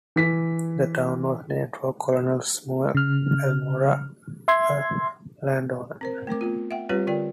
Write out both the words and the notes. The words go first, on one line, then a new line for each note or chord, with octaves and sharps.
The town was named for Colonel Samuel Elmore, a landowner.
E3 B6
C#3 F6
E5 C6 G#6
C4 A#4 C5
A3 C4 A#4 D6
A3 B3 F4
E5 F#5 G5
G3 C4 F4 G4 B4 C#5
D3 F4 A#4 D5 G5